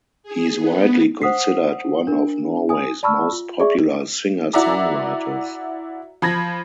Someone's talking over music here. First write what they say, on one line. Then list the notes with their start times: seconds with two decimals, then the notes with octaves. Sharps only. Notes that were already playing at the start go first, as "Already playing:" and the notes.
He is widely considered one of Norway's most popular singer-songwriters.
0.23 G#4
0.56 B3
1.22 C5 F#5 D#6 B6 C7
2.07 D4 A#4
2.69 G#5 D#6
3.03 D5 A5 B5 C#6 E6 F6
3.32 F4
3.60 G#4 D5 E5 C#6
4.53 E4 F#4 D5 E5 A#5 D6
6.22 F3 B5 G#6 A#6